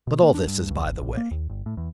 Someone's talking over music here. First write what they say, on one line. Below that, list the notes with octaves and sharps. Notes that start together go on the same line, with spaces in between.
But all this is by the way.
B2
A#3
D4
G2
C#2
G#1
A1
A#3
D#2
G1
A2
E2